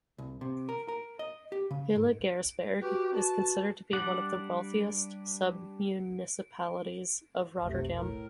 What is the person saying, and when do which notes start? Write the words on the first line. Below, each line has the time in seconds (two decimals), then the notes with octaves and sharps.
Hillegersberg is considered to be one of the wealthiest sub-municipalities of Rotterdam.
0.18 C2
0.41 C3
0.69 A#4
0.88 A#4
1.19 D#5
1.52 G4
1.71 C#3
1.96 G#2
2.81 F#4 G4 B4 C#6
3.15 A5
3.93 G3 D4 D5 F#5
7.64 F1 B1 C3 A3
7.95 A2 A#4